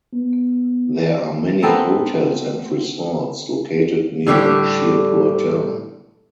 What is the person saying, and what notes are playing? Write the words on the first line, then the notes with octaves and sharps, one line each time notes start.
There are many hotels and resorts located near Shirpur town.
B3
B3 C4 A4 A#4
A2 D3 G3 G4